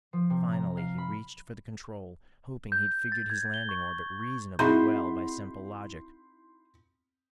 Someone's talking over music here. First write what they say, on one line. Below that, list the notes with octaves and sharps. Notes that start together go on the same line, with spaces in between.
Finally he reached for the control, hoping he'd figured his landing orbit reasonably well by simple logic.
F3
C3
A#5
F5
B5
G6
A6
G#6
G7
C#6
C#6
C4 D#4 E4 F#4 G#4 B5 C6 G6